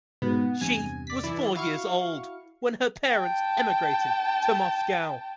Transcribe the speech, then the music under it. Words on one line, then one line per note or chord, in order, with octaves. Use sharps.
She was four years old when her parents emigrated to Moscow.
G#2 B2 B3
E2 G2 C3 G#5
D5 B6
E3 E4 D5
E4 F#4 F5 C#6
G5 A5